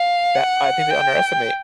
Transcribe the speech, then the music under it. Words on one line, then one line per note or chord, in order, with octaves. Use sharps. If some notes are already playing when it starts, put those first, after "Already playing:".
that, I think they underestimate.
Already playing: F5
F#5
G5